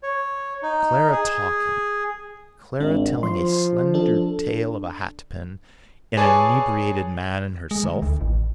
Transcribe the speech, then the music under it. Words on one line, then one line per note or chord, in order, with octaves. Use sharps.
But Clara talking, Clara telling a slender tale of a hatpin and an inebriated man and herself....
C#5
D#4
G#4
G#1 D4
F3 C6
D4 A4
G#4 B4 C#5 D5 G#5 A5
G#3
D#3
D2
A1